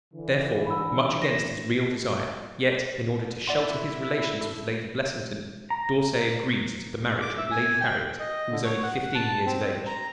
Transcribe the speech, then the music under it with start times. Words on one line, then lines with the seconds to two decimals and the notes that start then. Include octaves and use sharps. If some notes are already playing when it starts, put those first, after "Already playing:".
Therefore, much against his real desire, yet in order to shelter his relations with Lady Blessington, D'Orsay agreed to the marriage with Lady Harriet, who was only fifteen years of age.
0.14 D3 E3
0.66 B5 E6
1.22 A#6 D#7 E7
3.47 E4 D5 F#5 C6
4.41 A4
5.70 A#5
7.21 D6
7.38 E5
7.51 G#5
7.81 G5
8.20 D#5
8.51 D3
8.64 C#5
8.83 F#5
9.15 A5
9.46 C4
9.87 A#5